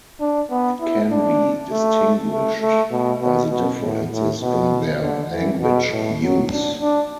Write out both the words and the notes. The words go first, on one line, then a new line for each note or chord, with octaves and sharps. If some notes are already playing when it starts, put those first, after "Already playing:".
It can be distinguished by the differences in their language use.
D4
B3
E4
D4
A3
A3
A3
B2
B2
B2
A2
A2
B2
D3
E3
B2
A2
F#3
D4
D4